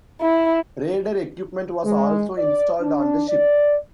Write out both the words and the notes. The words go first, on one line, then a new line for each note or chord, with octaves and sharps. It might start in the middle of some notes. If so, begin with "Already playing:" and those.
Radar equipment was also installed on the ship.
E4
G#3
D5
D4
D5